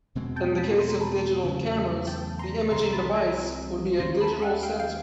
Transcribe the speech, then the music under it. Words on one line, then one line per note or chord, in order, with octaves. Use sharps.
In the case of digital cameras, the imaging device would be a digital sensor.
E2 B2 G#3 C4
G5 A5
A5 B5
A#5 C6
A5 B5
E2 C#3 F#3 A3
G5 A5
A#5 C6
C2 C3 E3 G3 A#5 C6
A5 B5
G#5 A#5
D#2 D#3 G#3 C#4 A#5 C6
A5 B5
E5 F#5
F5 G5
F5 G5